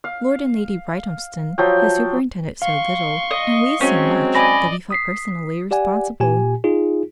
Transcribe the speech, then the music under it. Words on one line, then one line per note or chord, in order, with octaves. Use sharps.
Lord and Lady Brighthelmston had superintended so little, and we so much, that we felt personally responsible.
F5
F3 F#3 G5
F5 C6 C#6
D#5
F#3 G#3 C4 C#4
D5 D#5 G#5 B5 A#6
D#6 B6 C7
G4 D5 F#5 G#5
A#2 G4 G#5
D#4 F4 G#4